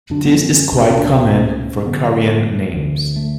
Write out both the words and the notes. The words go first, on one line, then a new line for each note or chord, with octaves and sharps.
This is quite common for Korean names.
F#2 D3 D4
B3
C#4
C#4
C#4
C#2 B2 D4
C#4
C#4
F#2 D3 B3
D2 D3
A3